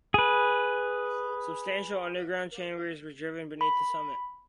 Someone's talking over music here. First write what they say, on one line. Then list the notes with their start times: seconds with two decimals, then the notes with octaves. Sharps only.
Substantial underground chambers were driven beneath the summit.
0.14 G#4 B4
3.61 B5